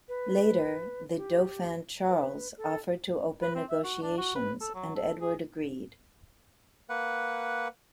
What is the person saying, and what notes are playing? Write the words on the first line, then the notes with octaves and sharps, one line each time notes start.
Later, the Dauphin Charles offered to open negotiations, and Edward agreed.
B4
G4
B4
A4
B4
C4
E5
F#4
D4
F#4
B4
A4
F#3
A4
G#4
A#3 B4 F#5